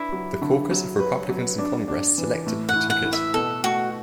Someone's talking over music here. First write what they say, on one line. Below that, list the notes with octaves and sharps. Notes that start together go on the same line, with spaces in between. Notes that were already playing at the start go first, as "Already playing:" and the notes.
The caucus of Republicans in Congress selected the ticket.
Already playing: D4 E4 B4
F#3
D3
F#3
B4
F#3
D4
D4
E3
A2
F#5
E4
F#5
E4
E5
B2 A4
A3 F#4